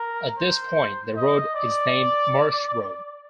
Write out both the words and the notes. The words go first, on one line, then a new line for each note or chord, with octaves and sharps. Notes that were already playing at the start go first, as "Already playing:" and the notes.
At this point, the road is named Marsh Road.
Already playing: A#4
C5
D#5
D5